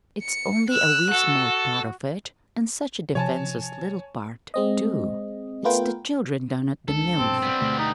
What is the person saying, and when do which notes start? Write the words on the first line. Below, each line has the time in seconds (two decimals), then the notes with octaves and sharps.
"It's only a wee small part of it--and such a defenseless little part, too. It's the children down at the mills."
0.23 C#7
0.70 E6 F#6
1.12 F#4 A4
3.15 C3 F3 C#5 G#5 A5
4.54 G#3 C4 D#5
5.64 A3 B3 F4 A#4 B4 G5
6.88 C#2 D4 A4
7.18 A#1 G2 B2 C4
7.42 G3 B3
7.61 D2 B2 A3
7.79 D#4